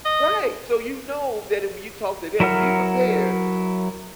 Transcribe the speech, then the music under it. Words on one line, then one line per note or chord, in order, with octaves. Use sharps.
Right, so you know that- and when you talk to them, be prepared
D#5
F#3 E4 A#4 F#5 F6